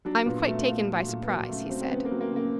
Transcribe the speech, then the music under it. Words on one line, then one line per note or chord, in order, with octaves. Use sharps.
"I'm quite taken by surprise," he said.
F#3 D4
A#2 B3
F#3 A3
A#2
F#3
A#2
B3
F#3 A#3
C#3 A3
F#3 C4
C4
C#3 B3
A#3
F#3
A#3
C#3 A#3